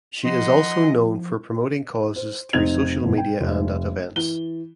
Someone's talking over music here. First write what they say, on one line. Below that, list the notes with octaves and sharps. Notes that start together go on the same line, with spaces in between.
She is also known for promoting causes through social media and at events.
F3 D#4 D#5 F#5 C6
C5
F1 C4 D#4 G#6 F7
G#1 B2
G5
F1
E3 G7